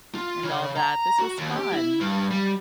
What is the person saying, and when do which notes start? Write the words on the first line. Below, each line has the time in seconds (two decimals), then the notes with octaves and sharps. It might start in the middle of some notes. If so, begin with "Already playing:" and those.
and all that, this was fun.
0.15 F4
0.43 C#3
0.77 A#5
1.19 F#4
1.38 D#2
1.56 G4
1.72 E4
2.01 G2
2.31 G3